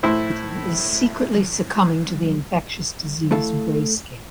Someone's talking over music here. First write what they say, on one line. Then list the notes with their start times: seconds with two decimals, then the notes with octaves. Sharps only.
Meanwhile, Connington is secretly succumbing to the infectious disease "greyscale".
0.03 A2 E4 C5
3.31 A3 E4 A4 F5